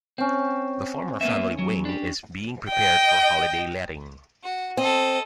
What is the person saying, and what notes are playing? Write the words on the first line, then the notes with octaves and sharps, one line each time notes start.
The former family wing is being prepared for holiday letting.
C4 C#4 G5
A#3 B3 E5
F#3
D4 G4
D#5 G5
F#4
C4 A4 D#5